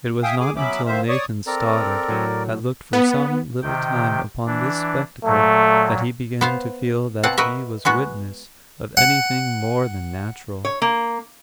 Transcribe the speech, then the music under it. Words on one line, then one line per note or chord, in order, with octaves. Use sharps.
It was not until Nathan Stoddard had looked for some little time upon this spectacle that he began to feel that he was witness of any thing more than natural.
E5 F5 G5 G#5 D#6
G#4 G#5 D6
F#3 B3 C#4 E5 B5 D6
D#3 C5 E5 F5
C#5 D5 C#6 D#6
C4 A4 A#4 D5 A#5
A2 F#3
B3
C3 D#3 G5
E3 D4
A#2 F#3 A3
B3 C5 F5
B2 C4 F4 F#5 A5
F#4 A#4 B4 D#5 E5
G#3 B3 F#4
F#5
C#5
A#3